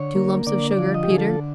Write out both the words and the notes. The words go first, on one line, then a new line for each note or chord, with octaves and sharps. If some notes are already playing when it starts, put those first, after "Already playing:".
"Two lumps of sugar, Peter?"
Already playing: D3 C#5
A#3
D3 D5
D5
F3
D#5
G4
D3 G#4
A4